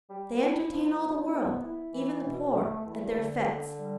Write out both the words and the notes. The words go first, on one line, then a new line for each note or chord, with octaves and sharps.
They entertain all the world, even the poor, at their FETES.
G3
E4
F3
B2
B3
E4
E3
B2
A3
E2
D3
D3
G3